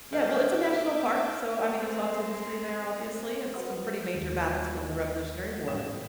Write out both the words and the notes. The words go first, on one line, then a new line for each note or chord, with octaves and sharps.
Yeah, well, it's a national park, so, I mean, there's lots of history there, obviously, it's some pretty major battles from the Revolutionary War.
D2 D#5 E5 D6 F6 G6
G#3 C4
F#4 B4 C5 F#5 C6 D#6
D#2 G#3 F4
A1 G#2 G5 D#6 B6 E7